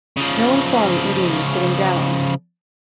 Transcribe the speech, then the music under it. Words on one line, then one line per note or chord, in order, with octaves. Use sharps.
No one saw him eating or sitting down.
C#3 F3